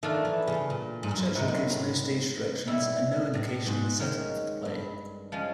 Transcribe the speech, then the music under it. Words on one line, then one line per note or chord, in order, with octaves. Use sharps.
Churchill gives no stage directions and no indication of a setting for the play.
D#3 A3 D4 F4
E3
C#3
A#2
G#2
G2
F#2
G2
G#2 C3 D#3 F#3
G#2
G2
A2
G#2
B2 G3 C4 E4
A2
G#2
D#3 G#3 C#4
G2
F3 G#3 C#4 F4